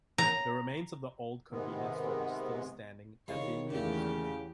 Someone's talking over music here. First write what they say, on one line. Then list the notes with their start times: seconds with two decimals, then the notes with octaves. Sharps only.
The remains of the old convenience store is still standing and being used.
0.18 A#5
1.51 G#2 C3 D#3 G#3 B3
3.28 C2 D#3 G#3 C#5 F5
3.70 E2 A#2 C#3 A3 G4